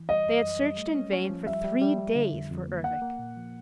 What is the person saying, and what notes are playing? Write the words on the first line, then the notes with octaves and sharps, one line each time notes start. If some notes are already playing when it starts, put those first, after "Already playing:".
They had searched in vain for three days for Ervic.
Already playing: E3
G3 D#5
F#2
F#2
G3
A3
C#4
C#4
F3
G3 E5
G3
G3
G3
D3
F2
F2
A#3
A#3 F#5
A#3
A#2
F3